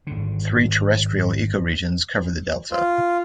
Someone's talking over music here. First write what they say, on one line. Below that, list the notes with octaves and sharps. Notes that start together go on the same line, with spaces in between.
Three terrestrial ecoregions cover the delta.
G#1 D3
F4